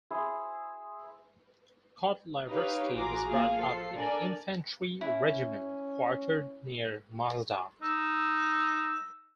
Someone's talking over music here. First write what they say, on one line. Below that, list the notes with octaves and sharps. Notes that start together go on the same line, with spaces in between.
Kotlyarevsky was brought up in an infantry regiment quartered near Mozdok.
E4 G#4 C5
D#4 G4 B4 C#5 F5
A1 F4 F#4 G#4 A#5 D6
A#3 F4 G#4 F5
F3 A4 C7
D4 A4 A#4 D5 G#5
C#4 E4
D#4 E6